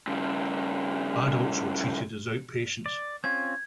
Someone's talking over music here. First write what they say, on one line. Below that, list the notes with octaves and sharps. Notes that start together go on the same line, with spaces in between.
Adults were treated as outpatients.
G2 C#3
D5
C4 C#4 F4 G#6